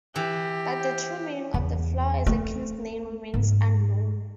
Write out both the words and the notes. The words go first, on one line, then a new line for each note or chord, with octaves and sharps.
But the true meaning of the flower as a king's name remains unknown.
E3 G4
E2
A3
G#2